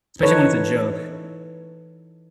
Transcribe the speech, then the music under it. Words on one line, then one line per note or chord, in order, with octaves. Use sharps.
especially when it's a joke.
E3 D#4 A4 B4 C#5